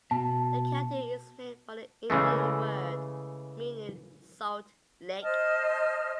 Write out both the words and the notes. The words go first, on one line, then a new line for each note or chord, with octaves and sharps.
The county is named for an Indian word meaning "salt lick".
B2 A5
C#3 E3 G#3 A3
C5 D#5 A5 F6